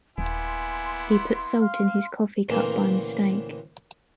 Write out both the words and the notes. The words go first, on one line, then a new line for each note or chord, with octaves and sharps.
He put salt in his coffee cup by mistake.
D#1 A#3 B3 E4 G#5 C6
F5
D2 A#2 C#3 E3 A#3 C4